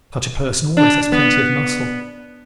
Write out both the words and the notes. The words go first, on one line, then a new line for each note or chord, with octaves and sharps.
Such a person always has plenty of muscle.
D4
B3